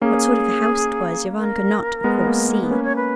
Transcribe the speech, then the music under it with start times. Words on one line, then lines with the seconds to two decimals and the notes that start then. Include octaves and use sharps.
What sort of a house it was Yvonne could not, of course, see.
0.01 A#3 C#4 G#4
1.37 A#4
2.04 G#3 B3
2.27 A#3
2.49 A#3
2.64 B3
2.71 A#3 C#4 B4
2.83 C#5
2.96 B4